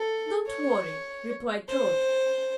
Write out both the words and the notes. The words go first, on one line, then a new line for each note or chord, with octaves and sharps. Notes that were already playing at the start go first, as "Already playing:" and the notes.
"Don't worry," replied Trot.
Already playing: A4
C#5
C5